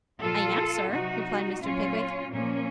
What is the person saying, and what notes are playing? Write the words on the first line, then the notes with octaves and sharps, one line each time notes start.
'I am, sir,' replied Mr. Pickwick.
A#2 F3 F4 A4
C3 F#3 D#4 F#4
A#2 F#3 C#4 F4
A#2 F3 A#3 C#4